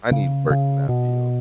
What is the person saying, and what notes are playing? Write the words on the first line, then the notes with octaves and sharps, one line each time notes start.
I need work in that field.
C#3
C#3
B2